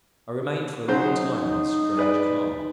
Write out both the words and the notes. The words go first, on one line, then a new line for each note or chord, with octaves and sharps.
I remained for a long time in this strange calm.
C#3 F#3 D#4 C5
G#4 B4 D5